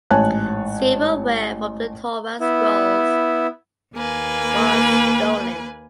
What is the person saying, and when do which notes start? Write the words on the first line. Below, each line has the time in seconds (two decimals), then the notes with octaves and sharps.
Silverware from the Torah scrolls was stolen.
0.11 A1 G#2 C#5 G#5 A5 F#6
2.40 B3 E4
3.94 D#2 A#3 B4 G#5